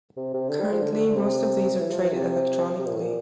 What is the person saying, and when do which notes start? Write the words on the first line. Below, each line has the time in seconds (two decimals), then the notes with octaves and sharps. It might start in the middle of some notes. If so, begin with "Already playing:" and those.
Currently most of these are traded electronically.
0.17 C3
0.34 C3
0.49 D3
0.60 G3
0.72 F3
0.82 D3
0.93 D3
1.05 D3
1.16 C3
1.81 E3
1.92 F3
2.03 E3
2.13 C3
2.79 C3
2.86 A#2
2.94 A2
3.01 A#2